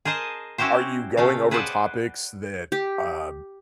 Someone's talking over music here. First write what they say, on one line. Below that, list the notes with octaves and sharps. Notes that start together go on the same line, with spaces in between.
are you going over topics that, uh,
G#4 A#4 C5 D#5 A5
C#4 E4 F#4 G4 C5
A#2 C#3 A3 F5
G#4 B4 C5 D5 F#5
G4